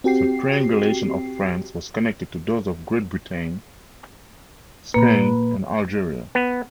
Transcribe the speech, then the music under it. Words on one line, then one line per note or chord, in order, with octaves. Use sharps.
The triangulation of France was connected to those of Great Britain, Spain and Algeria.
C4 F#4 G4 G5 C7
A#2 A#3 B4
B3